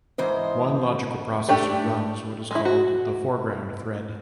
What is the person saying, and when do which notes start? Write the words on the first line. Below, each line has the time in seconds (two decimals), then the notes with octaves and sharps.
One logical processor runs what is called the foreground thread.
0.18 G#2 E3 C5 D#5
1.49 A3 D4 G4
2.51 G#3 E4
2.65 F#4